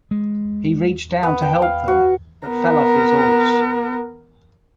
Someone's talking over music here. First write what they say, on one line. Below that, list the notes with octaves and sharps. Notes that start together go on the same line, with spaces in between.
He reached down to help them, but fell off his horse.
G#3
B3
G5
F5
F#4
B3 A#4